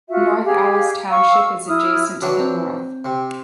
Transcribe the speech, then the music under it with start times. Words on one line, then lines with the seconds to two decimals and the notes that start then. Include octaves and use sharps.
North Allis Township is adjacent to the north.
0.09 F4 F#4 E5
0.45 G4 G#4 F5
1.10 F5 C#6 E6
1.68 E4 D#6 F6
2.22 E3 F#3 D4 F#4
2.40 C4
3.04 C3